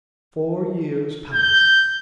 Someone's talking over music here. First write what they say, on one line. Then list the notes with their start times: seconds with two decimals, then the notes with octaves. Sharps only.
Four years passed.
1.34 G6